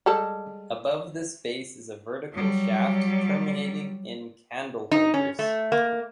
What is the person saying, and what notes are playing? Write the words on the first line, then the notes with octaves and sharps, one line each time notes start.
Above this base is a vertical shaft terminating in candleholders.
G3 G#3 A4
F#3 G3
D#4
C#4
A3
A#3